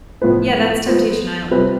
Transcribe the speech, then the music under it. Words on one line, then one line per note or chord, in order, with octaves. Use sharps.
Yeah, that's Temptation Island.
A2 F3 B3 F4 B4
F3 B3 F4 C5
C3 G3 C4 F4 B4